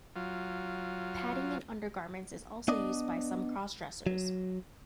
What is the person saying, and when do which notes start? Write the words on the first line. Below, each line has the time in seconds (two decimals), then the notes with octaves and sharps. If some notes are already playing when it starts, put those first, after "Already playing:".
Padding in undergarments is also used by some crossdressers.
0.16 F#3 F4
2.68 B3 D4 D5 D#5
4.07 F#3